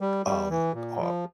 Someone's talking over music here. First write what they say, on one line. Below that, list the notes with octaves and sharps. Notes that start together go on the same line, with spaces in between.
um, uh,
G3
G3
E3
A#2
F3